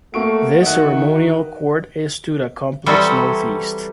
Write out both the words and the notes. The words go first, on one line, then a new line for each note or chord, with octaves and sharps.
This Ceremonial Court is to the Complex north-east.
A3 A#3 F#4 C#6 D7
D#3 D#5 E5 F#6
E3 F#3 G3 C4 F#4 A4